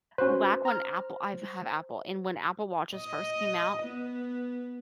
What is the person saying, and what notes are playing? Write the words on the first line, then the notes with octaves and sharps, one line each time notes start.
back when Apple I've had Apple and when Apple Watches first came out
C#4 F#4 B4 C5
A#5 F6
D#5
B3